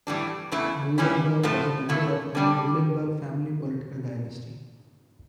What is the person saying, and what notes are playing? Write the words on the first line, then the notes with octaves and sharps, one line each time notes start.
Muhlenburg was a member of the Muhlenberg Family political dynasty.
A2 E3 G3 D4
E2 C#3 A3 E4
A#2 G3 C#4 E4
A2 F3 A3
A#2 A3 E4
D3 G3 D4